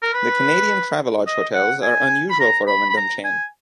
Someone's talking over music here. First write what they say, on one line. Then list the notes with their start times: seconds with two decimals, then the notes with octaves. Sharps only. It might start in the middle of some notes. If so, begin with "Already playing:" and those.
The Canadian Travelodge hotels are unusual for a Wyndham chain.
0.03 A#4
0.14 B4
1.27 D#5
1.54 F#5
1.83 G#5
2.30 B5
2.40 A#5
2.68 B5
2.89 B5
2.97 A#5
3.24 G#5